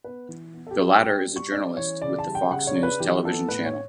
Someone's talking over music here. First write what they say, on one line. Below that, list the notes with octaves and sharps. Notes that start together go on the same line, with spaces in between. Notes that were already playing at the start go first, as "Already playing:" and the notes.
The latter is a journalist with the Fox News television channel.
B3 B4
E3
B3
A4
G4
G3
G3 G5
G3
C#6
C#4 D5
E3 C#5
C#3 D5
A5
G3
G5
C#3 F#5
C#5
D4
B4
E3 G4
B3 A4
A2 B4
C#5